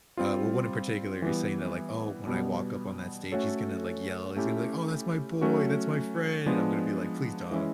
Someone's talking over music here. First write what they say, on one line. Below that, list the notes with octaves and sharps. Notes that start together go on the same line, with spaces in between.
uh, well, one in particular is saying that, like, "Oh, when I walk up on that stage, he's gonna, like, yell. He's gonna be like, oh, that's my boy. That's my friend." I'm gonna be, like, "Please don't,"
G3 C4 F4
E3 G3 B3
B2 G3 B3
A3 C#4 F#4 A4 C#5
A3 C#4 E4 G4
F#3 A3 C#4 F#4
F3 G#3 B3 D4
E3 G#3 C#4 E4